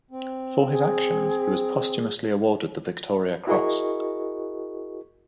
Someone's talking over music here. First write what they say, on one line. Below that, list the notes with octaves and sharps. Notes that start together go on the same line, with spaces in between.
For his actions he was posthumously awarded the Victoria Cross.
C4
G#4
E4 F#4 G#4 A#4 D#5 C#6